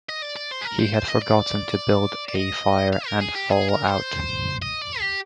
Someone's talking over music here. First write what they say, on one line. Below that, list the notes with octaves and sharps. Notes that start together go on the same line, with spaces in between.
He had forgotten to build a fire and thaw out.
D#5
D5
D5
C5
G#4
A#4
C5
C5
D#5
D5
D5
D#5
F5
A#4
G#4
G4
G#4
A#4
C5
D#5
D5
G4